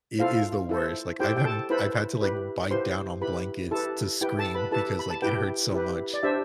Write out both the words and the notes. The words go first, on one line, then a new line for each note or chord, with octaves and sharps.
It is the worst. Like, I've hadn't I've had to, like, bite down on blankets to scream because, like, it hurt so much.
E4 F4 A4 C5 F5
E4 A4 C5
E4 G4 A4 C5 G5
G5
A4 A5
E4 A4 B4 C5 B5
E4 G4 B4
E4 G4 B4 C5 C6
E4 G4 B4 B5
E4 G4 A4 B4 A5
E4 G4 B4 G5
A4 A5
B4 B5
E4 G4 A4 B4 A5
B5
A5
E4 G4 B4 G5
E4 G4 B4
D5
D4 G4 C5 E5